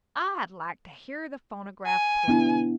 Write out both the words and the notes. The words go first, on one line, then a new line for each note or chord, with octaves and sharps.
"I'd like to hear the phonograph play."
G#5
B3 D4 E4